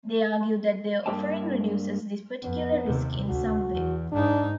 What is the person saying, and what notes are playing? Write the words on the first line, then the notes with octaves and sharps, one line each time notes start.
They argue that their offering reduces this particular risk in some way.
G2 A#3 C4 G4 G5 A5
F2 B3
D#2 C3
D2 F#4
E2
G#2 D4 D#4